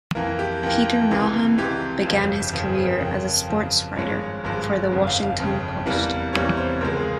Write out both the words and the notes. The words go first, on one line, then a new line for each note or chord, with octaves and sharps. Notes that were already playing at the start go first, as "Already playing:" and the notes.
Peter Mehlman began his career as a sportswriter for "The Washington Post".
F2 E3 A#3 A#4
G4
F2 E3 A#3
C#2 C3 E3
C#2 C3 E3 G4
G1 F2 C#3 F3
G1 F2 C#3 F3 F4
G#4
C5
A#4
F2 C#3 F3
F2 C#3 F3
G#1 G2 F3 G#3 C#5
G#1 G2 F3 G#3
G1 F2 C#3
F5
F5
G1 F2 C#3
E2 C3 E3 G3 A#3
E2 C3 E3 G3 A#3 C#5
C5
C#2 C#3 F3 G#3 A#4
G#4